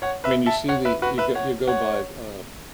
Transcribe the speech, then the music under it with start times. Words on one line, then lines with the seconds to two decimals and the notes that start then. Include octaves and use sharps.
I mean, you see the you go you go by, um,
0.02 C#5 F#5
0.24 B4 E5
0.46 E5 A5
0.68 C#5 F#5
0.85 B4 E5
1.02 F#4 B4
1.18 B4 E5
1.35 C#5 F#5
1.68 C#5 F#5